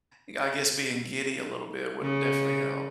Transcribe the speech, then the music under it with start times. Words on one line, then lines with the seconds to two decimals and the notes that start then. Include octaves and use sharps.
eh, I guess, being giddy a little bit would definitely help.
2.02 C#3